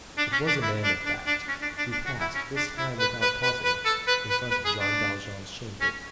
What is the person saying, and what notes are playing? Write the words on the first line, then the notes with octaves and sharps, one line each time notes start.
It was a man, in fact, who passed, this time without pausing, in front of Jean Valjean's chamber.
D4
C#4
D4
E4
D4
D4
D4
C#4
D4
D4
D4
F#4
E4
C#4
D4
E4
B4
B4
B4
B4
A4
B4
B4
B4
G#4
D4
C#4